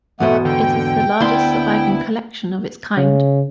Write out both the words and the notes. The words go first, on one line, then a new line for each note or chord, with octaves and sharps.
It is the largest surviving collection of its kind.
E2 G#2 B2 A3 F#5
D3 G5
D2 B3 E4 C6
C#3